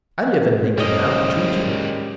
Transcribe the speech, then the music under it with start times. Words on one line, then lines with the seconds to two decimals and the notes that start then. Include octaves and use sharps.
I live in Lincoln now, too, Jim.
0.78 A2 G3 G#3 A#3 C#4 C5 D#5